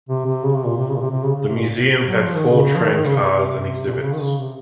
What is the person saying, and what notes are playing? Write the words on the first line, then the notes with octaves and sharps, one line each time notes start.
The museum had four train cars and exhibits.
C3
C3
C#3
C3
A#2
C3
C#3
A#2
C3
C3
C#3
C#3
C3
A#2
C3
F#3
F3
D#3
C#3
F3
D#3
D#3
C#3
C3
A#2
C3
C#3
D#3
C#3
C3